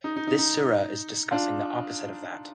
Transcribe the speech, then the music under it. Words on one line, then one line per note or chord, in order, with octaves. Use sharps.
This surah is discussing the opposite of that.
D#4
D#4
D#4
D#4
D4 F4